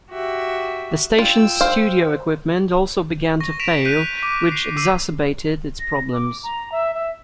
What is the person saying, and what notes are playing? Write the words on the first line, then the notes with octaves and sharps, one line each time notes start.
The station's studio equipment also began to fail, which exacerbated its problems.
F#4 G4 E5
F4 G5 E6
C5 F5
C#6 A#6
B6 D7 E7 F7
F#6 G6 B6 D#7
D6 B6
C7
D6 E6 C7 D#7
A#6
D6
A#5
E5
E5